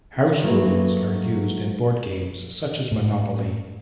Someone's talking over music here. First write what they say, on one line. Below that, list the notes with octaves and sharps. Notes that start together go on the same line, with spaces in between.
House rules are used in board games such as Monopoly.
F#3 A3 A#3 B4
A2